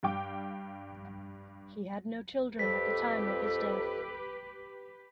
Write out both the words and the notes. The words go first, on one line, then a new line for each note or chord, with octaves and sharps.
He had no children at the time of his death.
G2 G3 F5 G5 D6
F2 G4 A4 B4 B6